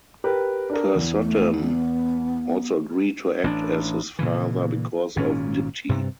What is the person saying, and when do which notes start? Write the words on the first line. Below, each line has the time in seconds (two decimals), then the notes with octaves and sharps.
Purshottam also agreed to act as his father because of Dipti.
0.24 G4 A#4 B4
0.70 D4 A#4
0.95 E2
1.22 A3
1.62 B3
3.44 A1 C#4 D4
4.19 A#2 C#3 E3
5.16 G#1 A#2 C#4
5.89 G2 C3